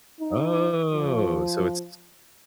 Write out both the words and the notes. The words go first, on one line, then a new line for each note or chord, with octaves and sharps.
Oh, so it's
D#4
F3